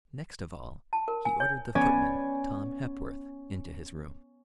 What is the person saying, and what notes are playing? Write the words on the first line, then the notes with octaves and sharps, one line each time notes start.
Next of all, he ordered the footman, Tom Hepworth, into his room.
A5
A#4
G#5
C#5
B3 C#4 D5 G#5